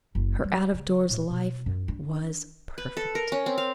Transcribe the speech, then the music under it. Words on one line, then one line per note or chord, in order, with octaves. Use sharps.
Her out-of-doors life was perfect.
F#1
G3
C#3
A2
B2
F#2
D4
B4
A4
A#4
C#4
C4
F5